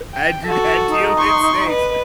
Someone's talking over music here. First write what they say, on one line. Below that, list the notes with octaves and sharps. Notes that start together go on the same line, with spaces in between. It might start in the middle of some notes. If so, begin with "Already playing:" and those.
I do not deal with snakes,
G5
F#4 A4
D#4
C6 C#6
B4 D#5